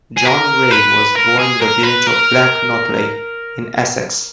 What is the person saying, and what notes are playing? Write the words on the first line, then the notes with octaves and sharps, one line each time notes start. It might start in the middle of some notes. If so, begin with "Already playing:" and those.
John Ray was born in the village of Black Notley in Essex.
G#4
A#4
B4
A#4
G#4
A#4
B4
A#4